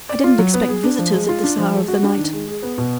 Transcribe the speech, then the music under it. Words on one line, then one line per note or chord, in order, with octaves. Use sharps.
"I didn't expect visitors at this hour of the night."
D5
F4
F#3
B3
G#4
D4
F3
G#3
F4
D4
F3
G#3
F#4
D4
D#3
G#3
G#4
B3
B2